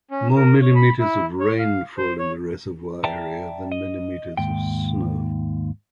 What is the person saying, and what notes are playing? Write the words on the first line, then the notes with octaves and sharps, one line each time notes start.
More millimeters of rain fall in the reservoir area than millimeters of snow.
C#4
A#4
C#5
B5
E4
C#5
F5
C5
C#5
D5 E5 G5 A5 A#5
D#5
D#2 G#2 G5